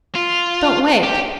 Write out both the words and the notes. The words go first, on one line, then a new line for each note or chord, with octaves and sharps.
Don't wait.
F4
G4